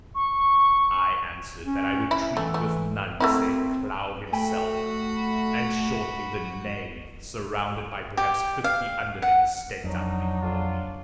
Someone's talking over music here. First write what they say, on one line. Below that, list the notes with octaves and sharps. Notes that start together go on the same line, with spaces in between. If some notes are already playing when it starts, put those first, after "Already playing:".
I answered that I would treat with none save Klow himself; and shortly the knave, surrounded by perhaps fifty underlings, stepped up before me.
C#6
C#4
E4
E3 A3
A3
A3 A#3 C4 E4
A3 F#4 G5 B5
G4
F5
F#5
F2 F#3 D4 D#4
D4 F4